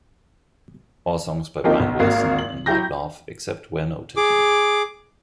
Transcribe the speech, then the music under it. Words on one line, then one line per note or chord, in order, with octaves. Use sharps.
All songs by Brian Wilson and Mike Love, except where noted.
F3 A#3 C4 D#4 F4 G4
B1
G#1 A#3 F#4 F5
F#7
F#3 E4 G4 G6 A#6
G#4 D6